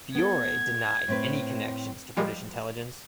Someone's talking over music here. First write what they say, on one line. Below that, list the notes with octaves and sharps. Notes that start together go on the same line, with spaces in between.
Fiore denied any connections to British intelligence.
B3 A4 G#6
A2 C4 B4
F3 G3 G#3